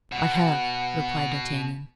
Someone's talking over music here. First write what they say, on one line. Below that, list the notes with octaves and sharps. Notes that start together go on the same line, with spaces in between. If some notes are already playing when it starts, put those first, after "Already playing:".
"I have," replied D'Artagnan.
B2 F#5